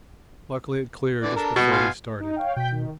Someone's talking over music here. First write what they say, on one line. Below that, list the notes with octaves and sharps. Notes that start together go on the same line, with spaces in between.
Luckily it cleared just before we started.
D3 E3 D5
D4 A4 A#4
B2 D#5
F5 G#5 C6
D#4
C#5 F5 G5
B2 G5 G6 B6
D#3